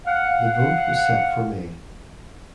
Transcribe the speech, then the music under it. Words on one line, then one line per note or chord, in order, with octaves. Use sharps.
The vote was set for May.
F5 F#5